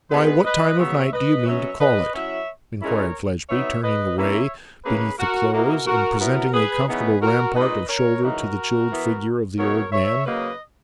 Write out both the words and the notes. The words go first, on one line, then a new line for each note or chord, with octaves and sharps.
'Why, what time of night do you mean to call it?' inquired Fledgeby, turning away beneath the clothes, and presenting a comfortable rampart of shoulder to the chilled figure of the old man.
A#2 G#3 B3 G#4 B4
B4 D#5
C#3 F#3 B3 C#5 E5
B4 D#5
B2 F#3 C#4 C#5 E5
B4 D#5
F#3 C#4 E4 C#5 E5
A#2 G#3 C#4 E4 A#4 C#5
F#3 B3 D#4 C#5 E5
B4 D#5
E3 A#3 C#4 E4 C#5 E5
C#3 E3 A#3 C#4 G#4 B4
F#4 A#4
B2 A#3 E4 F#4 A#4
F#4 A#4
F#3 B3 E4 F#4 A#4
G#4 B4
C#3 E3 B3 D#4 G#4 B4
F#4 A#4
A#2 G#3 D#4 B4 D#5
A#4 C#5
C#3 E3 G#3 D#4 F#4 A#4
E3 B3 E4
C#3 F#3 B3 A#4 C#5
C#5 E5
C#3 F#3 A#3 B4 D#5